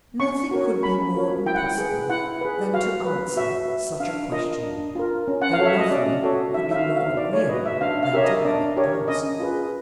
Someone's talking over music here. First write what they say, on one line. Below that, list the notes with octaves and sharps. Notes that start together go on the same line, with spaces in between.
Nothing could be more impossible than to answer such a question, though nothing could be more agreeable than to have it asked.
C#4 C#6
F#4 A#4 C#5
C#4 B5
F#4 A#4 C#5
E4 G5
F#5
G5
G#4 B4
E4 F#5
G#4 B4
F#4 F5
B4
F#4 E5
B4
D4 F5
F4 A#4 D#5
D4
F4 A#4
C#4
F#5
F5
F#4 A4 C#5
E5
D#5
C#4 D5
F#4 A4 C#5
D#4 E5
E5
F5
F#4 B4
F5
D#4 D5
C#5
F#4 B4 D#5
E5
D4 F5
F5
G4 A#4 C#5 E5
D#5
D4 D5
G4 A#4 C#5
C#4 D#5
F4 G#4 B4